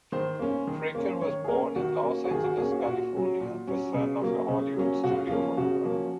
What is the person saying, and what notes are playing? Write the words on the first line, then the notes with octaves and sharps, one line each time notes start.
Fraker was born in Los Angeles, California, the son of a Hollywood studio photographer.
D#3 C5
A#3 C#4
D#3
A#3 C#4
D#3 C#5
G#4
A#3 C#4 A#4
D#3 F#4
A#3 C#4
F#4
D#3 G#4
F#4
A#3 C#4 G#4
F#4
F4
A#2 F#4
F#3 C#4
A#2
F#3 C#4
C#3
F#3 A#3 C#4
C#3
F#3 A#3 C#4
C#3 F#4
F4
F3 A#3 C#4 F4
C#3 F#4
F3 A#3 C#4